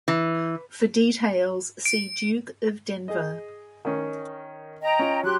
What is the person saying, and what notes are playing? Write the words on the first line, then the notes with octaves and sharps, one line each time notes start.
For details, see Duke of Denver.
E3
D7
G#4 D#5
D#3 C#4 D#4
D#5 G5 A#5
C#4 F4
F#3 G4 C6 F#6